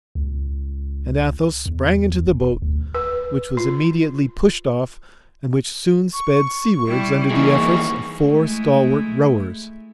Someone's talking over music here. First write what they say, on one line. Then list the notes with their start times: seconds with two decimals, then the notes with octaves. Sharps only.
And Athos sprang into the boat, which was immediately pushed off and which soon sped seawards under the efforts of four stalwart rowers.
0.15 C#2
1.66 E2
2.27 E1
2.62 D2
2.95 B4
3.57 F4
6.13 C#6
6.87 G3 E4
7.31 E3 A#3 D#4 E4 G#4 C#6
8.22 G#3 A3 E4